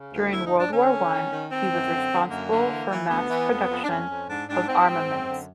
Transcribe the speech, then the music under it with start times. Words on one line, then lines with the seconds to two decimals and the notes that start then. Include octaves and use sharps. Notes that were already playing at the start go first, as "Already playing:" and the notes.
During World War One, he was responsible for mass production of armaments.
Already playing: C#3
0.12 D2
0.32 D3 E4
0.46 D#4
0.52 G2
0.58 D4
0.72 D3 C#4
0.92 D3
1.12 D#3
1.31 D#3
1.51 D#3 C4
1.72 F#2
1.91 D3
2.11 D3
2.30 F#2 A#3
2.50 D3
2.71 E3
2.90 E3
3.09 D2 B3
3.29 E3
3.49 F2
3.70 F2
3.84 D4
3.89 F2 C#4
4.09 F2
4.28 G#2 D4
4.48 G#2 D4
4.68 G#2 C4
4.87 G#2
5.07 F#2
5.27 D3